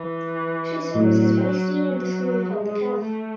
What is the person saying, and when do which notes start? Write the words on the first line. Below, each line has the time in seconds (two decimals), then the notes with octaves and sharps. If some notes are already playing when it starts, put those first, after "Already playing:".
She serves as Vice Dean of the School of Public Health.
Already playing: E3
0.95 A2 F#3
1.97 F#3
2.49 G#3
3.00 A3